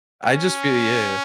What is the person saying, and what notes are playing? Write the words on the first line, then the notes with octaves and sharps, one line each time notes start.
I just feel yeah.
C#4